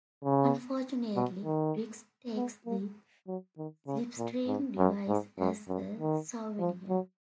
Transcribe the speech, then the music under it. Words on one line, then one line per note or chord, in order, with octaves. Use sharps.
Unfortunately, Briggs takes the Slipstream device as a souvenir.
C#3
B2
D#3
B3
A#3
F#3
D#3
C#3
A#2
G#2
F#2
G#2
F#2
F#2
D#3
F3
F#3